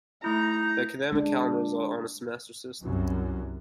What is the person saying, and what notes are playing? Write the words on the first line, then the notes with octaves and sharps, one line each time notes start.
The academic calendar is on a semester system.
A3 D#4 E4 A#5 G6
G#3 D4
C2 F#2